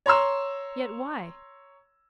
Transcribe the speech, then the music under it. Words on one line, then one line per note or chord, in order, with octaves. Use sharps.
Yet why?
C#5 A#5 C6 E6